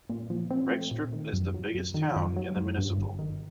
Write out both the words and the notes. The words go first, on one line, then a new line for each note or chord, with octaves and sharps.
Regstrup is the biggest town in the municipal.
A#2
F3
C4
A3
A#2
D#3
F#2
F#3
F#2
D#3
F#2
F#3
F#2
G2
G1
D#3